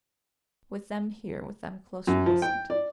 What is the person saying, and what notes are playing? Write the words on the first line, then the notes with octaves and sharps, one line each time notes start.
With them here, with them close, you mustn't.
F#2
F3
G5
D5